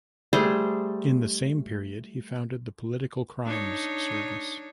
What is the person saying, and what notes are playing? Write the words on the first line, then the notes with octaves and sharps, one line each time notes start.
In the same period he founded the Political Crimes Service.
G3 A3 G#4 C5
D4 D#4 C#5